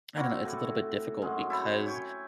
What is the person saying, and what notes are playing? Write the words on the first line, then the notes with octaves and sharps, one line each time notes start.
I don't know, it's a little bit difficult because
A#3 C4 F#4
A2
F#2 G#3
E4 A4
C#5 G5 G#5